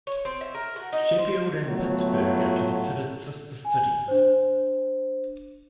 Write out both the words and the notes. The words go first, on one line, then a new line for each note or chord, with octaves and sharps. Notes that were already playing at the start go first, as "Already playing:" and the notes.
Sheffield and Pittsburgh are considered sister cities.
C#5
C4
E5
A#4
F#4
D#4
C5
A2 F#3 A3 B3 F4
G#5
D4 C5